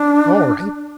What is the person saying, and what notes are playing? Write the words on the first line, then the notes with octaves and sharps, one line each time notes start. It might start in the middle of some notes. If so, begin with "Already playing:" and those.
'All right.
Already playing: D4